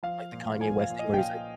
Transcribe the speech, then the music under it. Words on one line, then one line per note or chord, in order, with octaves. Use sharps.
like the Kanye West thing where he's like,
F3 F5
A#2
F3 G#5
F5
A#2
D#5
G5
A#2 F5